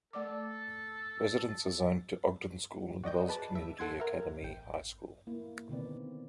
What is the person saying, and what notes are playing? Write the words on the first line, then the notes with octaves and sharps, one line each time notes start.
Residents are zoned to Ogden School and Wells Community Academy High School.
A3 A4 D5 D6
F#4 D5 D#5 G5
G#4 B4 A5 D6
E5
A4 F#5 C6 G#6 A6
A#4 E5
A1 G5
A#3 E4
B2 D3 D#3 C4 B4 D5